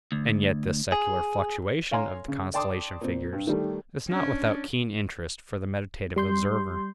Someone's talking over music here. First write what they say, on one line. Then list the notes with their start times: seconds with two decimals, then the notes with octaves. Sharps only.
And yet this secular fluctuation of the constellation figures is not without keen interest for the meditative observer.
0.12 D2
0.92 G#4
1.91 C#5 F5 G#5 A#5 C6
2.28 C#3
2.54 D5 G5 A5 C6 D6 D#6
3.01 A#2 C4
3.33 G2
3.47 D#3 G3 A3
4.09 C#4 D4
6.16 G3 C6 G6